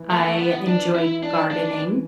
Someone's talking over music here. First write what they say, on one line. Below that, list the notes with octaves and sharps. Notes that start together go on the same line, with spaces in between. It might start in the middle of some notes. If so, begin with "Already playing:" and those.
I enjoy gardening,
Already playing: E3
A3
B3
A3
B3
D4
E4
D4
D4